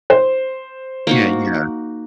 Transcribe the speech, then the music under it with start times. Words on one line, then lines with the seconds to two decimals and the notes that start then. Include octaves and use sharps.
Yeah, yeah.
0.10 C5
1.07 A#3 D#4 F#4